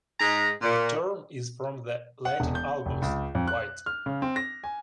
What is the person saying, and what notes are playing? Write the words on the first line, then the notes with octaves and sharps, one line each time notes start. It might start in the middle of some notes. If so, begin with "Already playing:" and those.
The term is from the Latin "albus", "white".
G#2 G#3 G#4 A#5
A#2
F#5
E1
G6
F1
C#2
F2
F#6
F6
C#3
C4
A#6
G#5